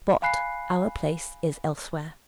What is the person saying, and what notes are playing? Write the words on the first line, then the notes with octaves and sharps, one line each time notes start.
But our place is elsewhere.'
F5 G#5 B5 F#6 C7